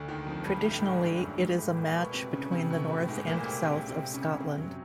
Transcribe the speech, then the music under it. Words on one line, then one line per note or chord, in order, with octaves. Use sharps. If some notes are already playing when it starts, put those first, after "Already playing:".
Traditionally it is a match between the north and south of Scotland.
Already playing: D2 D3
D#2 D#3
F2 F3
G2 G3
A2 A3
G#2 G#3
G2 G3
F#2 F#3
G#2 G#3
A2 A3
A#2 A#3
B2 B3
C3 C4
C#3 C#4
C3 C4
B2 B3
A2 A3
G#2 G#3
A#2 A#3
C3 C4
C3 C4
C3 C4
C#3 C#4
C3 C4
F#2 F#3